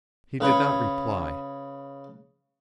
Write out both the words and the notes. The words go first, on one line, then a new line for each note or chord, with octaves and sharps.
He did not reply.
C#3 B4 C#5